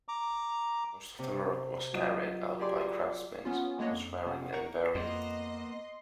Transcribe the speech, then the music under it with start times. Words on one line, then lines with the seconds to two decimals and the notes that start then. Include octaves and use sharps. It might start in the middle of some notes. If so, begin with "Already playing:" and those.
Most of the work was carried out by craftsmen from Schwerin and Berlin.
0.08 A#5 D6
1.19 C3
1.93 F#3 F4 D#5
2.59 G4 G#4 A#4 D5 C6 D6
3.45 B3 C#4 F4
3.79 G#3 A#3 D4 C#5 D#5 F#5
3.91 F2
4.26 C3 B3 C#4
4.53 A#4 F#5 A#5 C#6
4.95 F2 A#3 B3 C5 D#5 C6